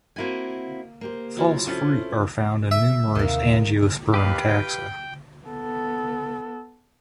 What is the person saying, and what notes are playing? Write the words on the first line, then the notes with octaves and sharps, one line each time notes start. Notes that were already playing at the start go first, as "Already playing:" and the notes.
False fruit are found in numerous Angiosperm taxa.
A#3 C4 E4 F#4 G#5
A#3 G4 C5
F#3 E4 F4
C4 C#4 E4 F4 A4
E5
D#2 C3 D#3 A#3
D#2 G4 B4 F5
G5
B3 A4